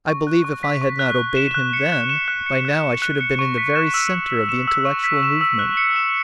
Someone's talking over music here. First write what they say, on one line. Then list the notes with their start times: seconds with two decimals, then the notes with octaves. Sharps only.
I believe if I had not obeyed him then, by now I should have been in the very centre of the intellectual movement.
0.08 C#6
0.27 F#6
0.44 C#6
0.63 B6
0.81 C#6
0.99 F#6
1.18 F#6
1.37 E7
1.54 F#6
1.73 C#7
1.92 F#6
2.09 E7
2.28 F#6
2.46 C#7
2.65 F#6
2.84 E7
3.02 F#6
3.21 C#7
3.39 C#6
3.58 B6
3.75 E7
3.94 E6
4.12 C#6
4.31 B6
4.49 E7
4.68 E6
4.85 C#6
5.04 B6
5.23 E7
5.41 E6
5.59 F#6
5.77 C#7
5.96 E7